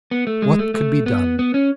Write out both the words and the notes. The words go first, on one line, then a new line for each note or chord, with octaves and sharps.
What could be done?
B3
A3
G#3
A3
A3
B3
B3
C#4